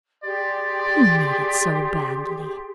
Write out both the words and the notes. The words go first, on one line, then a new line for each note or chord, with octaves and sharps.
You need it so badly....
G4 G#4 D5 C6